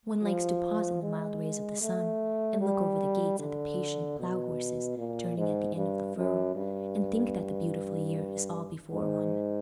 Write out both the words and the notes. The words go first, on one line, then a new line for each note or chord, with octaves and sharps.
One likes to pause in the mild rays of the sun, and look over the gates at the patient plough-horses turning at the end of the furrow, and think that the beautiful year is all before one.
F3
G#3
A3
G3
D3
B2
A#2
G#2
G2
F#2
G2
G#2